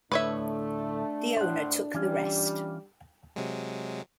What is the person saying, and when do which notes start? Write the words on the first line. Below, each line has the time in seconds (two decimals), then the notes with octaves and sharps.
The owner took the rest.
0.12 D2 A2 A3 D4 B4 C#5 E5
1.36 A2 C5 F#5
1.94 E3 G3 C#4 F4
3.36 C3 F#3 G#3